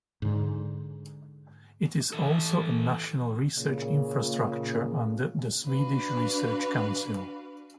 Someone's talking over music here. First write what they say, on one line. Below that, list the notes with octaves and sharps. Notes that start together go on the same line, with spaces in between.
It is also a national research infrastructure under the Swedish Research Council.
G#2 D3
E3 A4
A#2 C#3
D4 F#4 B4 F5